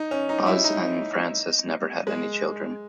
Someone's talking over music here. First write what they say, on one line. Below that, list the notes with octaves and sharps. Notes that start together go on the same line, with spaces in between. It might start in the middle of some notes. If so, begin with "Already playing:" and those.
Buzz and Frances never had any children.
Already playing: D#4
C#4
D#4
E4
D#4
G#3